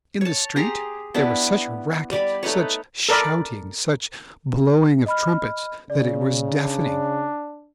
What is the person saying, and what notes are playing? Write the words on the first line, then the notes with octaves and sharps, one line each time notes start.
In the street, there was such a racket, such shouting, such blowing of trumpets, that it was deafening.
C#5 A5
G4 G#4 A#5 C6
B3 D4 E4 G4
G3 D5 B5
A3 D#4 B4 C#5
A4 A#4 D5 B5
D#5 B5 F6
C#3 D5
D4